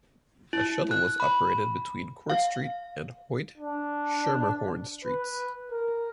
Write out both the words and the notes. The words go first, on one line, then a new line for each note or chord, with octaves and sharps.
A shuttle was operated between Court Street and Hoyt-Schermerhorn Streets.
E4
F#6
B5
F5
D4
B4
A#4